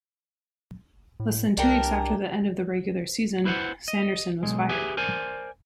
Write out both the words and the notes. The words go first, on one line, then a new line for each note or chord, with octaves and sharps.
Less than two weeks after the end of the regular season, Sanderson was fired.
A2
C2 D4 G4 A#4
E4 B4 C5 F5 F#5
D#5
B1 C3 G#3
G4 G#4 B4 E5 G#5
A#4 C5 D5 G#5